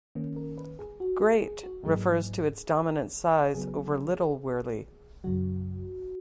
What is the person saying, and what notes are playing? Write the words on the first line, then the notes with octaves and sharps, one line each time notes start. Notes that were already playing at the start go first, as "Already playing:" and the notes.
"Great" refers to its dominant size over Little Wyrley.
D#3 A#3 C#4
A#4
B4
G#4
F#4
G#4
G#4
F#4
G#2 F#3 A#3 D#4 G#4
C#3 F#3 B3 G#4
F#2 C#3 F#3 F#4